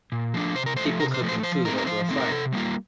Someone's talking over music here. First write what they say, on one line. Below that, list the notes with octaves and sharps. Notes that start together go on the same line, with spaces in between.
People cooking food over a fire.
A#2
F3 A3 D4
C3 C5
A#4
F3 A3 C5
C3 A#4
C5
F3 A3
C5
F3 C5
A3 C4 D#4 A#4
A#4
F3 C5
A3 C4 D#4
A#4
C3 A4
G3 A#3 F4